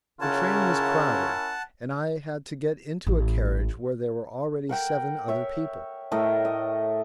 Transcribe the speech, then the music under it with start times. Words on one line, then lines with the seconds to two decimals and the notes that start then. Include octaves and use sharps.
The train was crowded, and I had to get into a carriage where there were already seven other people.
0.21 C#3 C#4 E4 F4 A#4 C#5 F#5 A5
3.07 A1
4.69 A#4 F#5 G5
5.28 C#5 E5
6.12 A2 A3 A#4 D#5
6.45 D#5